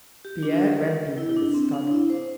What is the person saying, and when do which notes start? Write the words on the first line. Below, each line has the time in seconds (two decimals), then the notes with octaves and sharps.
Pierre went into the study.
0.25 G4
0.43 D4
1.18 E4
1.29 E4
1.37 D4
1.54 C4
1.74 D4
1.91 E4
2.10 C5